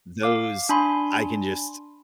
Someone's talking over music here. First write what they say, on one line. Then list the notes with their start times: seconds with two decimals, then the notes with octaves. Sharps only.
Those, I can just
0.23 F5 D6
0.69 D4 G#5 B5 C6